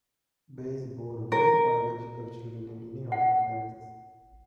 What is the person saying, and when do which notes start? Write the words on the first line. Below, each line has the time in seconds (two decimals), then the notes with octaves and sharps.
Bayes bore no biological children in any of her marriages.
1.32 A#4
3.12 F#5